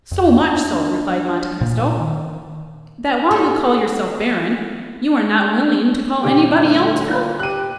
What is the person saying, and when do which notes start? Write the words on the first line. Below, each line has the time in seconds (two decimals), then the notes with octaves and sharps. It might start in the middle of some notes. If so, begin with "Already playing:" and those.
"So much so," replied Monte Cristo, "that while you call yourself baron you are not willing to call anybody else count."
0.12 F2
0.41 D4
1.61 A#2
2.00 D#3
3.31 G4 A4
6.23 D#1 D3 G4 G5
6.59 A2
7.07 A#2
7.39 G4 F#6 D#7